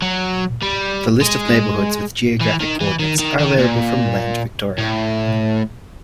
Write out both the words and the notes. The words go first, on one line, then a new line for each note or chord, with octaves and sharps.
The list of neighbourhoods, with geographic coordinates, are available from Land Victoria.
F#3
G3
G#3
E3
D#3
E3
D#3
D#3
D#3
A#2
A2